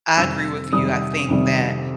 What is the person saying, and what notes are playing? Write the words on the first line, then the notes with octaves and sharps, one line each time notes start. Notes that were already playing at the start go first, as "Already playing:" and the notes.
I agree with you, I think that
F2 C3 D#3 G3 E6
F2 C3 D#3 G3 D#6
F2 C3 D#3 G3